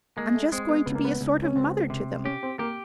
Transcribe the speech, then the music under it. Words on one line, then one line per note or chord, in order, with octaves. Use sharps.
I'm just going to be a sort of mother to them.
G#3 A#3
A3
G#3 C4
B3
C#2 B3
A#3
B3
C#2
C#4
C#2 C4
C3
C#4 G4
C4
A#3 G4